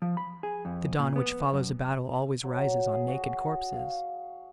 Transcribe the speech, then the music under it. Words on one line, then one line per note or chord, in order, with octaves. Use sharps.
The dawn which follows a battle always rises on naked corpses.
F3
B5
G#4
F2
A#2
B3
F#2
F#3
G#4
F#4
F5